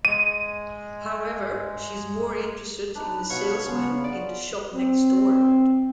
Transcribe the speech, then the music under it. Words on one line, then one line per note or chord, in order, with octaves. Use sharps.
However she is more interested in the salesman in the shop next door.
G#3 D#7
D4 D#4 B4
B2 C#5 F5 F#5
C#3 B3 C#4 C6
D5 D#6
C4